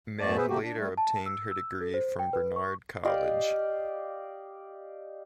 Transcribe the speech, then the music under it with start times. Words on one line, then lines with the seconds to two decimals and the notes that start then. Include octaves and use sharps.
Mann later obtained her degree from Barnard College.
0.20 F#2 B2 A3 D5 A5
0.37 B3 G#4 B4 C5 E5
0.49 C3 A3 A#3 F#4 G4
0.63 D4
0.77 G3 A3
0.98 A5
1.26 E6
1.51 E6
1.81 A4
1.94 C5
2.19 G5
2.33 B4
2.56 C#6
3.05 G4 D5 D#5 F5